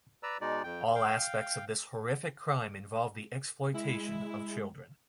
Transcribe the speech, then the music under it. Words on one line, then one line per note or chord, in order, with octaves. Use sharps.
All aspects of this horrific crime involve the exploitation of children.
B4 D5 A#5 E6
B2 G#3 D#4 D5
F2 G5
F5 G5
G#3 E4